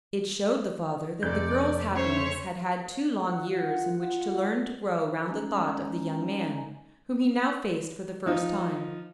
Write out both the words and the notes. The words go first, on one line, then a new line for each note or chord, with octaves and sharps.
It showed the father that the Girl's happiness had had two long years in which to learn to grow round the thought of the young man, whom he now faced for the first time.
F1 A4 D5 G6
C#4 C5 C#5 E5
F4 F#5
G#3 C#4 D#4
F3 D#4 F4